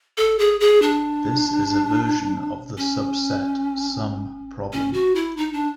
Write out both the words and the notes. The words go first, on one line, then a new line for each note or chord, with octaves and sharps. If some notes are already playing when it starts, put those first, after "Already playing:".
This is a version of the subset sum problem.
A4
G#4
G#4
D4
C#4
C#4
F#4
E4
D#4
D4